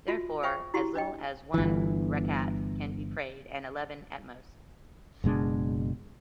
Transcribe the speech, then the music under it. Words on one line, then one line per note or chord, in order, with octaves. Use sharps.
Therefore, as little as one rakat can be prayed, and eleven at most.
F4 F#4 E5
G#4 C5 E5 G5 C#6
E4 F#4 G4 C6
D4 D#5 G5
G1 E3
F#1 B2 G#3 D4